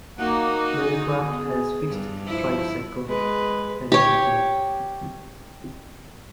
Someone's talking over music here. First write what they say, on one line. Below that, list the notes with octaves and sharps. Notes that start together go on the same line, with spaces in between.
The aircraft has fixed tricycle landing gear.
A#3 D#4 F#4 F#5
G#4
B3
G2
F3 E4
G#3 B4
G4 C#5